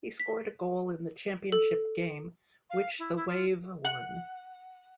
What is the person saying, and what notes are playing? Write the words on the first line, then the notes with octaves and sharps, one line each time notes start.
He scored a goal in the championship game, which the Wave won.
B6
A4
F5
E4
E4
F4
F#5 F#6